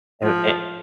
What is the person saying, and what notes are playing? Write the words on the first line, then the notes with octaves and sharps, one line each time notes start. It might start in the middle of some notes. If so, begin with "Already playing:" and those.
Er, it
F3